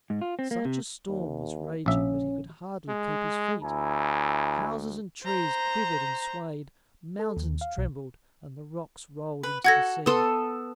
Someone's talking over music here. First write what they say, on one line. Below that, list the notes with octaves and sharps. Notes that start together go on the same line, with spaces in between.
Such a storm was raging that he could hardly keep his feet; houses and trees quivered and swayed, mountains trembled, and the rocks rolled into the sea.
G#2
F4
C4
A#3
C3
D#2
A#1 C#4 E5
G#3
D2 E4 G#5 A#5
C5 A#5
A4
D#2
F5
B1
B4
F#4 A4 F#5 G#6 A#6
B3 A4 C6 D#6